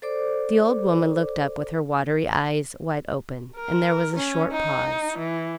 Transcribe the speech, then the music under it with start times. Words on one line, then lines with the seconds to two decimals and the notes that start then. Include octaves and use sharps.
The old woman looked up, with her watery eyes wide open, and there was a short pause.
0.02 A4 C5 D5 D6
3.56 A#4
4.16 C#4
4.51 D#4
5.18 E3